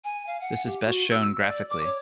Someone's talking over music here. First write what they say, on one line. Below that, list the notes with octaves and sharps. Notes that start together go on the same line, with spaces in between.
This is best shown graphically.
G#5
F5
F#5
G4
F#4
E6
D5
D6
C#5